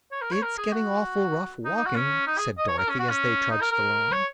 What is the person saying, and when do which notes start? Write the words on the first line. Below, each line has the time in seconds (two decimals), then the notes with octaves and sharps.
"It's getting awful rough walking," said Dorothy, as they trudged along.
0.12 C#5
0.22 A#4
0.32 C#5
0.42 A#4
0.58 G#4
0.73 F#4
1.65 D#4
1.76 D#4
1.86 F#4
1.96 C#4
2.27 D#4
2.38 G#4
2.58 D#5
2.68 C#5
2.78 A#4
2.89 C#4
2.99 F#4
3.10 C#4
3.51 D#4
3.61 A#4
3.72 A#4
4.12 C#5